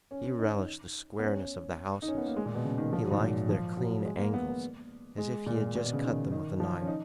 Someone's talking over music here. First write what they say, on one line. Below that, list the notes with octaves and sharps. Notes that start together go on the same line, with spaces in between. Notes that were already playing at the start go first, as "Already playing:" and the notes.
He relished the squareness of the houses; he liked their clean angles as if he had just cut them with a knife.
C#4
D#4
B3
C#4
D#4
C#4
B3
A#3
G#3
A#2
B2
C#3
D#3
F3
F#3
G#2
A#2
F3
F#3
G#3
A#3
B3
G#3
A#2
A#2
B2
C#3
D#3
D#3
F3
C#4
D#4